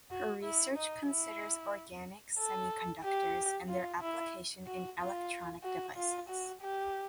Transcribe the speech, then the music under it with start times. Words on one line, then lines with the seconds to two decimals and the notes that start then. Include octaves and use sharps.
Her research considers organic semiconductors and their application in electronic devices.
0.11 F#4
0.44 E4
0.77 D#4
1.08 E4
2.39 A4
3.04 G4
3.69 F4
4.02 E4
4.67 F#4
4.99 F4
5.64 F#4
5.97 F4
6.29 F#4
6.62 G4